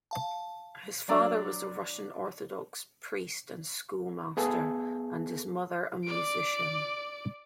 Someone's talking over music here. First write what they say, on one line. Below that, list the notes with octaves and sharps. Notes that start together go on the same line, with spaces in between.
His father was a Russian Orthodox priest and schoolmaster, and his mother a musician.
F5 A5
F#3 D4 D5 A#5 E6
B3 G#4 A4
D5 D7